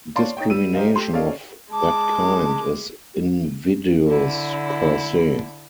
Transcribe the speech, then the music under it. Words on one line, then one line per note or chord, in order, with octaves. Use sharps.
Discrimination of that kind is invidious per se.
C#5 D5 F5 A5 C6
D#4 C#5 G5
G3 E6 D#7
G4 A#4 C5 D#5 F5
G4 A4 C6
C#4 A4 D5 D#5 F5
G#3 A5 D6
D3 E4